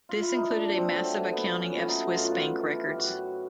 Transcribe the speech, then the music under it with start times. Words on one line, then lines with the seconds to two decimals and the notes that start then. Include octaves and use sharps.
This included a massive accounting of Swiss bank records.
0.09 F4
0.22 E4
0.37 D#4
0.50 A#2 D4
0.77 C4
0.91 F#3 A3
1.04 C4
1.33 A#2 B3
1.60 C#4
1.73 F#3 A3
1.88 D#4
2.15 F#2 F4
2.24 F#4
2.31 F4
2.57 C#3 E3
2.88 G4
2.98 F#2 F#4